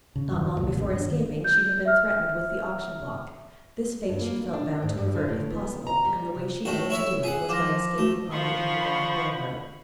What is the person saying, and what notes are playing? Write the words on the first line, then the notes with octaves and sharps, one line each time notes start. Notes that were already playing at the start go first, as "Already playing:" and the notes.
Not long before escaping, she had been threatened with the auction-block; this fate she felt bound to avert, if possible, and the way she aimed to do it was by escaping on the Underground Rail Road.
C#3
D#1 F#2 D#3 F3
C2 A#2 D#3 G3
A1 E2 B2 D3
G1 D4
D#3
G6
E5 F6
G2
A#3
D4
G#2
G2
D3
A2
B3
A#5
G3
C3
A2 A3 F#4
E4 C#5 E5
F4 G#4 F#5
F3 D6 A#6
A3 F#4
F3 F4 F#5 B5 C#6